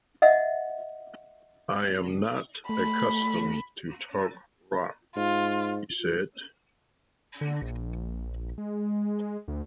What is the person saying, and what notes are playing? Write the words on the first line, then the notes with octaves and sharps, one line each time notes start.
'I am not accustomed to talk rot,' he said.
D#5 E5 F#5
A3 B5
G#2 F4
D3
A#1
G#3
D2